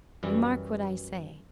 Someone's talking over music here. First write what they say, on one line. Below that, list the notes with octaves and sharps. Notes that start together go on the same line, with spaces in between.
You mark what I say.
F#2 E3 G3